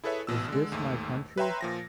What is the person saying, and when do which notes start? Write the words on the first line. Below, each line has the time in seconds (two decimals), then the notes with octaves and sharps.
Is This My Country?
0.04 E4 G#4 A4 B4 C#5 E5
0.27 A1 B2 E6
0.48 D3 G#3
0.72 D#2 G#2 A3
1.38 B4 C#5 E5 G5 A#5 C6
1.61 A#2 F3 A#6